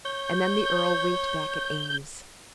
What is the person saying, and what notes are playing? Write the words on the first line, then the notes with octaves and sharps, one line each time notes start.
And then the earl winked back at Eames.
C#5 G6